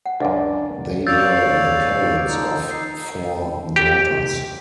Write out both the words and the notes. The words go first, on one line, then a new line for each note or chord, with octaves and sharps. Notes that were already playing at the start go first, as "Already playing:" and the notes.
They were the parents of four daughters.
F#5
C#2 F#2 D4 D5
C#5 D5 F5 E6 G6 A6
D3 F3 D#4
D#4 C7
G4